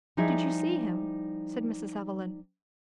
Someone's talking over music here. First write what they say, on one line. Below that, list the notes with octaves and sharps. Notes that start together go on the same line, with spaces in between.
"Did you see him?" said Mrs. Evelyn.
F3 G3 D#4 E4 G#4 E5